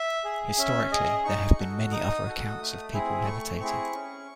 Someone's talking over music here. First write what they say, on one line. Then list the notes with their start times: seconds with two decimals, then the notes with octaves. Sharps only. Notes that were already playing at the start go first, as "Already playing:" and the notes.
Historically, there have been many other accounts of people levitating.
Already playing: E5
0.25 G#4
0.58 C#4 E5
0.92 G#4 D#5
1.25 D#4 C#6
1.59 F#4 A4
1.92 D#4 D#6
2.26 F#4 A4
2.60 A3
2.93 C4 E4 G#4
3.26 A3 C#6
3.60 C4 E4 G#4 C#6
3.94 C#4